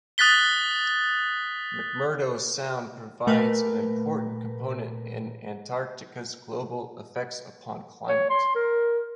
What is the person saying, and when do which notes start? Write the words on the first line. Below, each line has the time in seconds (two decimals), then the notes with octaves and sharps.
McMurdo Sound provides an important component in Antarctica's global effects upon climate.
0.18 D#6 F#6 A6 B6 G7
3.26 A#2 A3 A#4 B4
8.08 C#5
8.30 C6
8.55 A#4